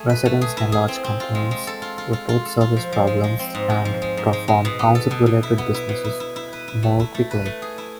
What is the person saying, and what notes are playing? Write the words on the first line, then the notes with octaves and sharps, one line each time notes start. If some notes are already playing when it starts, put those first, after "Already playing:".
Residents can lodge complaints, report service problems, and perform council-related business more quickly.
Already playing: A3 G#4
B4
A3
G#4
E4
G#4
C4
C4
F4
G#3
G#3
A4
F4
F4
F4
F4
A4
F4
F3
F3
G#3
G#3
C4
G#2
G#3
F3
G#3
G#2
G#3
G#3
B2
B3
A4
B2
B2
E4
B3
E4
B2
E4
E4
E4
B4
E4
A3
E4
A3
B4
A3
G#4
E4